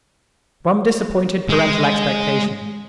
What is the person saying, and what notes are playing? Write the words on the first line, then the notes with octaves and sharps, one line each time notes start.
Rum disappointed parental expectation.
G#3